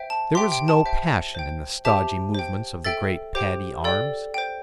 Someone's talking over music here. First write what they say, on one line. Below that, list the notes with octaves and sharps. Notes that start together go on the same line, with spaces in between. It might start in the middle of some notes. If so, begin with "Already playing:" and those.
There was no passion in the stodgy movements of the great paddy arms.
Already playing: C5 E5 G5
A5
G4 C5 E5 G5 C6
G5
A5
C5 E5 G5
C5 G5
G4 C5 E5 A5
C5 G5
A4 E5 G5 A6
G4 C5 G5
A4 D5 G5
C5 G5